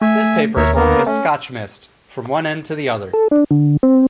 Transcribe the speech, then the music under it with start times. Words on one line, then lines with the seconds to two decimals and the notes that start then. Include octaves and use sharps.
This paper is only a Scotch mist from one end to the other.
0.01 A3 E5 G#5
0.57 D#2 A#4 C#5 E5
0.75 A#3 B3 A#4
1.06 A3 C#4
3.13 A4
3.31 D4
3.51 D3
3.83 C4